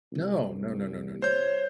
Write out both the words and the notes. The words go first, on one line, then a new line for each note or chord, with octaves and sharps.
No, no, no, no, no, no, no, no.
C2
C5 C#5 G6